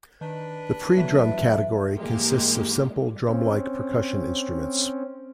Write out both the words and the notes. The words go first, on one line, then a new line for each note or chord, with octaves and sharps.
The predrum category consists of simple drum-like percussion instruments.
D#3 D4 B4
A2 E3 F#3 B3 E5
G#2 E3 G#3 A#3 G4
C4 C#4